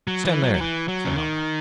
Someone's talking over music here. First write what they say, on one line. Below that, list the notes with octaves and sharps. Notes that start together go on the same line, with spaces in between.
"Stand there," said I.
F#3
E3
F#3
F#3
E3
F#3
C#3
D#3